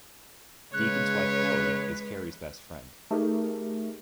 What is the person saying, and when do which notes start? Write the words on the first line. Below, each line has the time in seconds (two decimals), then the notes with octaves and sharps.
Deacon's wife Kelly is Carrie's best friend.
0.74 C#3 G#3 B4 C#5 F#6
3.11 A3 D#4 G4 G#4 A#4